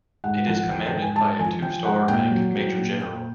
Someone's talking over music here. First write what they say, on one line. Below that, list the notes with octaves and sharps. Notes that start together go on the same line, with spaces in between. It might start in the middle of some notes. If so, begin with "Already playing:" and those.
It is commanded by a two-star rank Major-General.
G#2 F#5
F3 F#5
F3 G5
G5
G#2
G#5
G#2 A5
F3 G#5
F3 G5
G#2 F#5
A#2 G5
F#3
F#3
A#2
A#2 G5